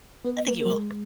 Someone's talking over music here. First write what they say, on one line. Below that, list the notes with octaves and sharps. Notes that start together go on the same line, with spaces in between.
I think you will.
B3 B4
D#5
A#3 B4
A#4
F#3
G#3